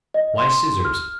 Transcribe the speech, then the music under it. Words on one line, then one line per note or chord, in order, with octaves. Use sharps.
Why scissors?
D#5
C6
F6